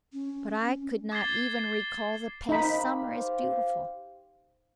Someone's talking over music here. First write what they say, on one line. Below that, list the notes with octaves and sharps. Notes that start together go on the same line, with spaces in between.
But I could not even recall the past summer as beautiful.
C#4
D6 G#6 A6 C7 G7
D#4 G4 C5 F5 B5